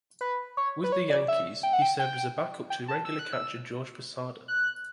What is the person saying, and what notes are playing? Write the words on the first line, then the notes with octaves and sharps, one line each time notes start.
With the Yankees, he served as a back-up to regular catcher Jorge Posada.
B4
C#5
B4
C#5
D5
E5
G5
F#5
G5
G5
G5
A5
E6
F#6
E6
F#6